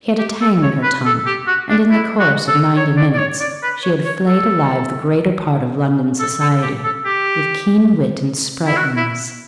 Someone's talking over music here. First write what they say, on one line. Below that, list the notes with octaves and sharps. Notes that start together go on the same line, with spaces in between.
She had a tang in her tongue, and in the course of ninety minutes she had flayed alive the greater part of London society, with keen wit and sprightliness.
G4
A4
C#5
B4
A4
G4
F#4
D4
E4
F#4
A4
C#5
D5
D5
C#5
D5
B4
C#5
C#5
A4
A4
A4
G4
A4
G4
E4
F#4
E4